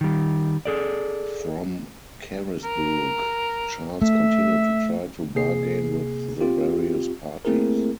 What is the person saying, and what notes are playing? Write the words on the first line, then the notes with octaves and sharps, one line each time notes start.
From Carisbrooke, Charles continued to try to bargain with the various parties.
D#3 G3
G#4 A4 D5
A#4
A3 E5
C3 A#3 G#4 C7
C4 F4 G4
A3 A#3 C4 E4 G#4 A#4